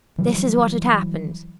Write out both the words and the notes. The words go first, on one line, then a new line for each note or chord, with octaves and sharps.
This is what had happened.
E3 F#3 G3